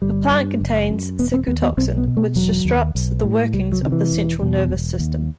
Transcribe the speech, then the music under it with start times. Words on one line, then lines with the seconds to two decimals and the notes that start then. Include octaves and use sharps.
The plant contains cicutoxin, which disrupts the workings of the central nervous system.
0.02 G1 G3
0.31 G2
0.61 F#1
0.90 F#2
1.19 E1 B3
1.34 C4
1.48 D#2 B3
1.62 B3
1.77 B1 C4
1.98 B3
2.07 B2
2.17 A3
2.36 E1 F#3
2.65 D#2
2.95 B1
3.24 A2
3.53 C2 G3
3.72 F#3
3.82 C3 D#3
3.92 E3
4.12 E1
4.41 E2 B2
4.69 E1
4.99 D#2